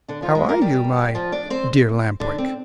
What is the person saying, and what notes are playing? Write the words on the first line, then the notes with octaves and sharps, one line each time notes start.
"How are you, my dear Lamp-Wick?"
D3 D4
F3 F4
G#3 G#4
A#3 A#4
G3 G4
F3 F4
D4 D5
C4 C5
D3 D4
C4